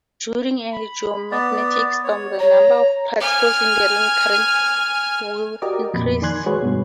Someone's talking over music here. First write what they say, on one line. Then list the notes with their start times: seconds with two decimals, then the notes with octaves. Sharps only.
During a geomagnetic storm, the number of particles in the ring current will increase.
0.72 B5
1.31 B3 D5
2.04 C#5
2.40 C#5 A#5
3.20 G#5 F6
5.62 F#4 G4 A#4 D5 D#5 D6
5.94 F2 A#2 B5
6.22 D#3 D5 G#5 C6 F#6 G#6
6.46 G#3 F#4 G#4 B4 C#5
6.62 G2 B2